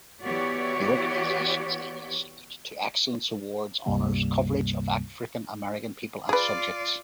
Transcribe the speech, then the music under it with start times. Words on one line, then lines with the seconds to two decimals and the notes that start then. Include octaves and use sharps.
The organization's annual Salute to Excellence Awards honors coverage of African-American people and subjects.
0.24 E3 B3 F#4 G4 C#5 D5
3.86 C#2 G2 C3 G3 A#3
6.29 F4 G#4 B4 D5